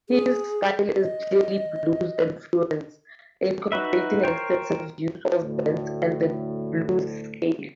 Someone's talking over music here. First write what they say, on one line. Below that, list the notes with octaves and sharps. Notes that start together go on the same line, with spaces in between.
His style is clearly blues-influenced, incorporating extensive use of bends, and the blues scale.
G#4
D#5
D#4 F#4 B4 E5
A#4 C5 C#5 G5
D2 A2